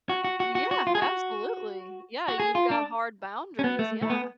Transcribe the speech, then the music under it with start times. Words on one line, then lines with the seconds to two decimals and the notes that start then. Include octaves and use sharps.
Yeah, absolutely yeah, you've got hard boundaries, yeah.
0.09 F#4
0.24 F#4
0.40 F#4
0.55 F#4
0.71 F#4
0.87 F4
0.95 G#4
1.02 F#4
2.28 F#4
2.40 G#4
2.55 F4
2.71 D4
3.59 C#4
3.64 B3
3.79 A3
4.02 A3
4.10 B3